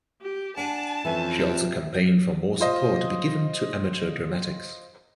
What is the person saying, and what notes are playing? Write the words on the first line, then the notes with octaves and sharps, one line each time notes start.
She also campaigned for more support to be given to amateur dramatics.
G4
D4 F#5 G#5 A5
F2 E3 C#4
G4 E5
F4 C5 D#5